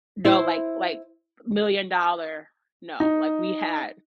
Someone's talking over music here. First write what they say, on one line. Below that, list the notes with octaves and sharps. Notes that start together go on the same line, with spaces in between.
No, like like, million-dollar. No, like we had
E4 C5
D#4